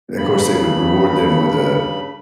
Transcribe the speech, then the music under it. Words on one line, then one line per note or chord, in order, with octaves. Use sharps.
of course, they would reward them with a
G2 C#3 B5